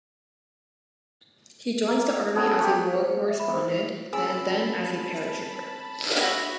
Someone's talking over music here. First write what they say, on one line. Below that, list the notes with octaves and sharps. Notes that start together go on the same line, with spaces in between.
He joins the Army as a war correspondent, and then as a paratrooper.
A#3
B3 C#4 G#4 A4
G4 A#5 C#6
C5
G#4
E5
B5
C5
F7
C4 C#4 G#4 G#5 A5 B5 E6
F#4 B4 E5 B6